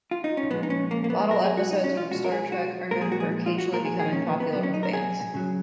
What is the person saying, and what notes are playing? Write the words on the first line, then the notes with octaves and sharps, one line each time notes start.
Bottle episodes from "Star Trek" are known for occasionally becoming popular with fans.
F4
D#4
C#4
A#2 F3 G#3 B3
D#4
C#4
A#3
A#3
B3
B2 F#3 A#4
G#4
F#4
D#4
C#4
F4
B2 G#3 F#4
A#4
G#4
F#4
A#2 F3 G#3 A#4
G#4
F#4
G#4
F4
F#4
A#2 F3 G#3 A#4
G#4
G#4
D#4
C#4
B3
B3
B2 F#3 B3
C#4
D#4
A#4
G#4
C#3 F#3